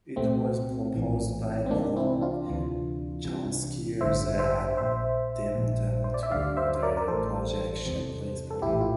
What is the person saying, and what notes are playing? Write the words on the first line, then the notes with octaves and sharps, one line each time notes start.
It was proposed by Noam Chomsky as an addendum to the Projection Principle.
C2 A#2 A3 C4
A#1 A2 E3
C4
C2 C3 E3 A#3 D4
C4 E4
D4 F4
D2 C3 E3
C2 C3 E3
A1 G2 D3 C5 E5
C5 E5
A#1 A#2 C5 E5
A#1 A#2
C5
D5
E5
D2 D3 D5 F5
C5 E5
C5
A#4 D5
A#4
A1 A2 E3 A4 C5
E2 C3 E3
A4
A#1 A2 E3 E4 G4
F4